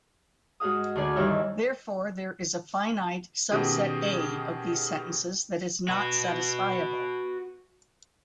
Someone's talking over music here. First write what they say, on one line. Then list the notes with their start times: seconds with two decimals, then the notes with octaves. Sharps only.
Therefore, there is a finite subset "A" of these sentences that is not satisfiable.
0.60 G#2 F#4 G#4 F5 D#6
0.95 D2 D3 G#4 D5 G#5
1.16 G2 D#3 E3 C#5 E5 F6
3.51 B2 D#3 C#4 G4 G#4
5.88 F#4 B4